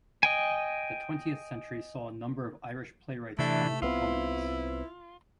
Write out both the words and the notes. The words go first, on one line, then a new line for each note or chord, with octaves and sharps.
The twentieth century saw a number of Irish playwrights come to prominence.
D#5 G5 G#5
C3 E3 A3 D4
C2 B3 C4 E4 F4